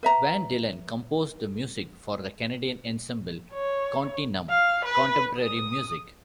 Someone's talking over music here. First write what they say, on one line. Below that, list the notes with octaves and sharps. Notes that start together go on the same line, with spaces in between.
Van Dillen composed the music for the Canadian ensemble "Continuum Contemporary Music".
B4 E5 A#5
C#5
F5
B4
D#6